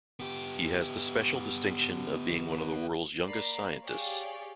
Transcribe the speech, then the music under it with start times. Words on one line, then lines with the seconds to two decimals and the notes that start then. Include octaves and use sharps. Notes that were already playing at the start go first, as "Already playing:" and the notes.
He has the special distinction of being one of the world's youngest scientists.
0.20 B3 G4
3.25 A#3 D5 A#5 B5 C7
3.84 G4 G#4 C#5 D5 F5 G5